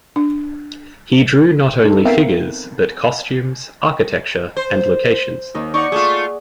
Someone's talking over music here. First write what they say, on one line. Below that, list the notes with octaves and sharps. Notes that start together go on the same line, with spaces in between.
He drew not only figures but costumes, architecture, and locations.
D4
D4 D#4 A4
B3 C4 A#4 E5 F5 G5
C5
D#2 D#3 D#4
D#4 D5 F#5 C#6
A3 F4 G#4